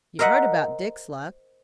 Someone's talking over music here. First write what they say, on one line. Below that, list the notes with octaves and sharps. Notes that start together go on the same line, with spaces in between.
You've heard about Dick's luck?'
A#4 C5 D#5 E5 F#5